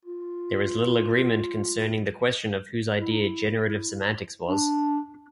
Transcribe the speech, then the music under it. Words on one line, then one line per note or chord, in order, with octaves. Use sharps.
There is little agreement concerning the question of whose idea generative semantics was.
F4
E4
D#4
E4
D4